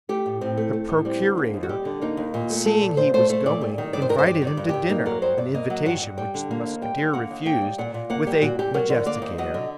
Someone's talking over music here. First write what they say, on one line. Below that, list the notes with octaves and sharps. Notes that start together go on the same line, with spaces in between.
The procurator, seeing he was going, invited him to dinner--an invitation which the Musketeer refused with a majestic air.
A3 G4
A2
A2 C4
A3
A3
A2
G3 C4
D3
A#3
D#2
F#4
G3 G4
D3
A#3 D#4
D#2
A#2
A3
A3 A4
A#2
A#2 C5
A3 C5
A3 C5
A#2 D5
G3
D#3
G2 D5
C5
G2 A#4
C5
G3 D5
D#3
D5
G2
G2 G4
A#3 D#4
F#3 A#4
G2 C5
G2 D5
A#3 D#5
F#3
G2 F#5
G2
G3 G5
D3
A#3
D#2
G3 G5
D3
A#3 F#5
D#2
A#3 G5
G3
A#2 F#5
A#2
A#3 F#5
G3 G4
A#2 F#4
A#2 G4
F#3 A#4
D3
A#3 D5
D#2
F#3 D#5
D3